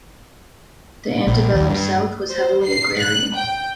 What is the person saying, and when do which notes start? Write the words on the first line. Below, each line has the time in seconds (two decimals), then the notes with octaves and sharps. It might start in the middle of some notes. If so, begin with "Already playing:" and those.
The antebellum South was heavily agrarian.
1.27 A#1
1.54 D#2
1.69 G2
2.29 C5
2.64 C7
2.99 F#6
3.35 G5